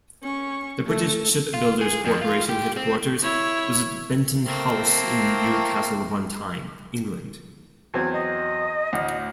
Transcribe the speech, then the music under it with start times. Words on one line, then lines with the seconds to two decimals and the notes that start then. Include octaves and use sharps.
The British Shipbuilders Corporation headquarters was at Benton House in Newcastle upon Tyne, England.
0.23 C#4 C#6
0.86 A3
1.54 F4
1.81 G#4
2.05 F2
2.22 F4
2.49 G4
2.77 C4
3.22 E4 C#5
4.42 A3 A#3 C4
7.94 E2 F#3 C4 G#6
8.13 D#5
8.93 D2 A2